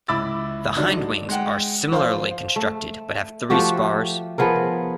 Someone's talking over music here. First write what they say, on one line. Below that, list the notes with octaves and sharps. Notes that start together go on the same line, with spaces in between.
The hindwings are similarly constructed, but have three spars.
C#2 E4 B5 D6 E6 A6
D3 F#3 G3 D4 D#4
G#3 F#5 G5
F3 C5 F5
A3
F3 A3 F#4 G4
F3 B3 G#4 A#4